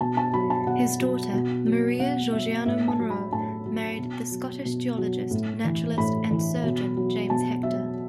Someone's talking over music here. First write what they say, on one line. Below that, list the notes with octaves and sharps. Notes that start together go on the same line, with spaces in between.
His daughter, Maria Georgiana Monro, married the Scottish geologist, naturalist, and surgeon James Hector.
B2 A5
A5
F#3 B5
A5
B2 F#5
F#3
B2
F#3
B2 F#5
F#3 E5
A2 E5
A5
F#3
B5
A2 A5
F#3
B2
F#3
B2
F#3
A2
E3
A2 B5
E3
B2
F#3
B2 A5
F#3 E5